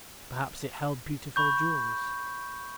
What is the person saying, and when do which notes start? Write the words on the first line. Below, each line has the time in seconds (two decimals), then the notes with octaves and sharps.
Perhaps it held beautiful jewels.
1.36 B5 C#6 G6